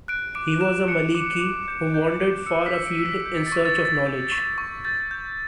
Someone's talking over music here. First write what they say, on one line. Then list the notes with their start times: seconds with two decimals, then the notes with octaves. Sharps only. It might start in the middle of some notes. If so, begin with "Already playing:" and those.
He was a Maliki who wandered far afield in search of knowledge.
0.08 F#6 D7
0.35 D6 D7
0.61 F#6 E7
0.88 F#6 C#7
1.15 D6
1.41 D6
1.68 G6
1.94 G6
2.20 G6
2.46 E6 C#7
2.66 B6
2.74 E6
2.86 D7
2.99 E6
3.06 B6
3.26 G6
3.47 A6
3.52 C#6
3.66 A6
3.78 C#6
3.85 A6
4.06 G6
4.32 C#6
4.58 C#6
4.85 G6 A6
5.11 G6